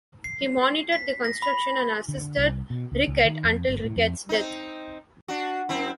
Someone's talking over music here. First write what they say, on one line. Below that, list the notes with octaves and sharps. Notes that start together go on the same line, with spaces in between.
He monitored the construction and assisted Riquet until Riquet's death.
C7
B6
A#6
B5
D3
C2
B2
C#2
C#2
D#3
F2
G1
A2
F2
C4 D#4
D4 F#4
F#2 C4 E4